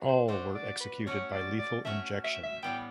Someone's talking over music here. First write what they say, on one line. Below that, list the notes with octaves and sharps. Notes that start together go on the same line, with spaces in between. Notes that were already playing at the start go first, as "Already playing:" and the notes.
All were executed by lethal injection.
Already playing: D4 F#4
C5
A3 D4 F#4 C5
D5
B4
A3 C#4 F#4 C#5
D5
D5
A3 C#4 F#4 E5
E5
E5
A2 E3 G3 B3 G5